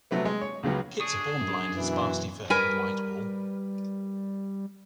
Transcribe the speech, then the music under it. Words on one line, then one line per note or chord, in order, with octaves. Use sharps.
Kits are born blind and sparsely furred with white wool.
C3 F#3 A3 B3
G#3
C#5
C#2 C#3 F#3 B3
D4 G#4 C#6 D#6
F#2
B2 E3
G3 A#4 B4 G#5